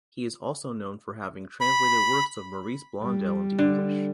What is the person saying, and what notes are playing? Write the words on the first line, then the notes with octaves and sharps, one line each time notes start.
He is also known for having translated works of Maurice Blondel into English.
B5
G3
D3